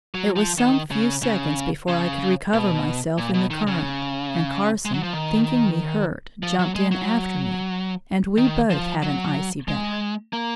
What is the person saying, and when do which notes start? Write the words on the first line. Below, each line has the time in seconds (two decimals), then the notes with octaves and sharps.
It was some few seconds before I could recover myself in the current, and Carson, thinking me hurt, jumped in after me, and we both had an icy bath.
0.15 F#3
0.36 F3
0.59 D#3
0.91 C#3
1.23 C#3
1.88 C#3
2.53 B2
3.18 A#2
3.34 B2
3.50 D#3
3.67 C#3
4.85 G#3
4.94 F#3
5.03 F3
5.13 D#3
6.43 F3
6.59 F#3
6.75 G#3
6.91 F#3
8.38 D#3
8.70 F3
9.03 F#3
9.68 G#3
10.33 A#3